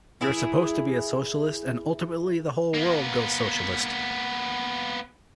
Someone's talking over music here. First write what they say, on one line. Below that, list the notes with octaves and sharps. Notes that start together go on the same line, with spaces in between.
You're supposed to be a socialist and ultimately the whole world goes socialist.
E3 E4 G#4
A#3 B3